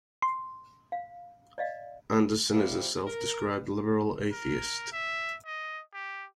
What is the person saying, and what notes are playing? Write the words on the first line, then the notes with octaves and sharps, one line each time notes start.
Andersen is a self described "liberal atheist".
C6
F5
D5 D#5 F5
A2 C3 F3 G3
A#4
A#4
E5
D#5
G4